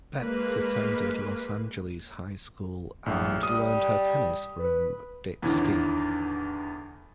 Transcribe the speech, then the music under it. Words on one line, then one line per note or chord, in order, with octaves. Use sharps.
Betz attended Los Angeles High School and learned her tennis from Dick Skeen.
G#3 A#3 B4
A#1 A2
G3 D#6
B4
E2 A2 D3 D#3